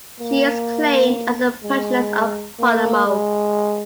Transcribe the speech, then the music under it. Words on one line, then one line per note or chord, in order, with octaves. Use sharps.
She is claimed as the patroness of Palermo.
A#3
G#3
A#3
G#3